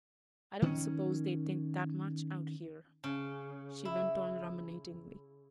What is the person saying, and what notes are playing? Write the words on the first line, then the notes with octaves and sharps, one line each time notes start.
"I don't suppose they think that much out here," she went on ruminatingly.
D#3 C4 C#4
C#3
E4